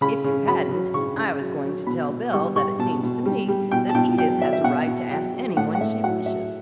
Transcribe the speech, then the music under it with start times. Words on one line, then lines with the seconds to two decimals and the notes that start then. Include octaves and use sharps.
If you hadn't, I was going to tell Belle that it seems to me that Edith has a right to ask any one she wishes.
0.01 C#3 B5
0.24 C#3
0.48 F#3 B5
0.71 F#3
0.94 C#3 C#6
1.17 C#3
1.41 F#3
1.64 F#3
1.87 B2 B5
2.10 B2
2.33 G3 C#6
2.56 G3 C#6
2.79 B2 A5
3.03 B2
3.26 G3
3.48 G3
3.71 B2 G5
3.89 A5
3.95 B2 G5
4.18 F#3 G5
4.42 F#3 E5
4.53 E5
4.64 B2 F#5
4.87 B2
5.11 F#3 G5
5.34 F#3
5.57 A2 F#5
5.75 F#5
5.81 A2 E5
6.04 F#3 F#5
6.26 F#3 E5